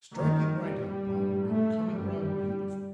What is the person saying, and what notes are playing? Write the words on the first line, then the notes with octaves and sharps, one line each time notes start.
'Striking right out, mum, and coming round beautiful.'
F#1 F#2 D#3
G3
A1 G2
A3
G1 F#2 G3